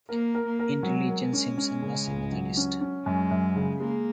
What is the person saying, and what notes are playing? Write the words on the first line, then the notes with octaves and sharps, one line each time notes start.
In religion, Simpson was a Methodist.
A#3 A#4
A#4
A#3
A#4
F#3 G#3
A#4
G#3
C#4
C#4
C#3
C#2
F#3
C#4
C#4
F#2 G#3
F#2
C#3
G#3 A#3